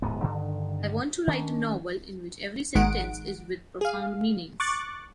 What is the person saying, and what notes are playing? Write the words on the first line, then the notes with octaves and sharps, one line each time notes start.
I want to write a novel in which every sentence is with profound meanings.
D1 G#2 C3 B3
G2 D3 D#3
D#3 C#4 D4
G#1 D#3 G#3 F#5 D7
G#4 F5
C#6 D6 F#6 A6